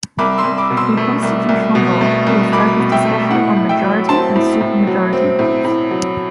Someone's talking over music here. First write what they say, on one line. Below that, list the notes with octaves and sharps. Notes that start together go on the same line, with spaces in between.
In constitutional law, he has focused especially on majority and supermajority rules.
C2 B5 D6
C6 E6
C2
B5 D6
B2
C6 E6
A3
C2
C2
B2
A3
C2
C2 B5 D6
B2
E5 G5
A3
A2 F#5
A2
E5 G5
F#3
C4 A5 C6
A2
A2
F#3
C4
A2
A2
F#3